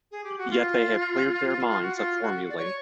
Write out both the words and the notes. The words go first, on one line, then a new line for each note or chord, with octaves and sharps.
Yet they had cleared their minds of formulae!
G#4
G4
F#4
F4
F4
F#4
F4
F#4
D5
C#5